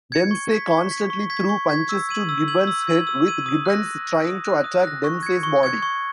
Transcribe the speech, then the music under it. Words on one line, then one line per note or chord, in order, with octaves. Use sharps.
Dempsey constantly threw punches to Gibbons' head, with Gibbons trying to attack Dempsey's body.
G#6 C#7
C#6
G#6 B6
C#6
G#6 B6
C#6
G#6 B6
C#6
G#6 B6
E6
G#6 D#7 F#7
E6
G#6 D#7 F#7
E6
G#6 D#7 F#7
E6
G#6 D#7 F#7
D#6
F#6 A#6
D#6
F#6 A#6
D#6
F#6 A#6
D#6
F#6 A#6
C#6
G#6 C#7
C#6
G#6 C#7
C#6